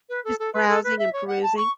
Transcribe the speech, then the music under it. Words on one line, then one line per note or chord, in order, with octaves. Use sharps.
Just browsing and perusing.
B4
A4
A4
B4
A4
B4
E5
C#5
F#5
A5
C#6